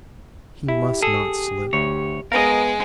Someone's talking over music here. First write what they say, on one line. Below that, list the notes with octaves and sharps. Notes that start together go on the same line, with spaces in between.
He must not slip.
E4 G4
G#4 A4
D2 C#5
G#3 B3 A#4 D#5 F5